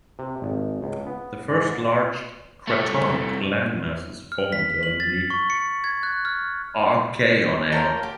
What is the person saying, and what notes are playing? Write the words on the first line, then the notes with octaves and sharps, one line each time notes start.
The first large cratonic landmasses formed during the Archean eon.
C3
G#1
C#2
B3
G#2
C2 A3
F6
B6
F#7
A6
C#6
C#7
G#6
F#6
F6
F4 A#4 C#5 A5 A#5 G6
G4